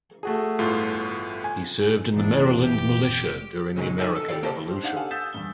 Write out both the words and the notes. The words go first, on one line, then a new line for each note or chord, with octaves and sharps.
He served in the Maryland militia during the American Revolution.
A3 F#4 G#4
G1 A2 F4
G#5
F1 E3 A#3 D4
G4
B1 A#2 C#3 F#3 G#3 D#4
D#4 A4 E5 G5 G#5
A4
G4 A4 B4 D5 F5
C2 A#3 G4 C5 A5
G4 C5
D4 D#4 F5 F#5
G4 A4 F5 F#5 G#5 A5
D#6 E6 G6 A6 B6 E7
E2 G2 G7